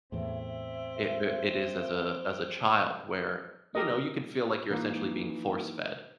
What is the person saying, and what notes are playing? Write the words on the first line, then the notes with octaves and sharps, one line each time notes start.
it it is as a as a child, where, you know, you could feel like you're essentially being force-fed
E2 A2 C4 E5
G4 A#4 D#5
E3 A#3 D#4 F4